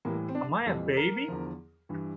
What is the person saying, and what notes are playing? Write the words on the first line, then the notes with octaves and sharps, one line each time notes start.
Am I a baby?
A2 E3 G3 A#3
C4
D4
F2 E3 G3 A4
A#4
E2 D3 F3
G2 E3 G3